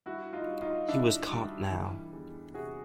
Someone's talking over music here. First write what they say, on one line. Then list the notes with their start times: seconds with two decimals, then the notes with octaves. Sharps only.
He was caught now.
0.06 G2 E4 F#4
0.33 D#4 F4
0.48 G2
0.62 D#4 F4
0.88 D3 D4 E4
1.30 G3
1.71 E3
2.13 E2
2.54 C3 F#4 G#4